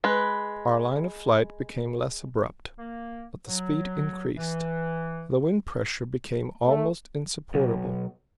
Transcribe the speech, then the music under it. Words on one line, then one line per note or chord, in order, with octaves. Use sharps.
Our line of flight became less abrupt, but the speed increased, the wind-pressure became almost insupportable.
G#3 B4
A#3
F#3
E3
A3
B1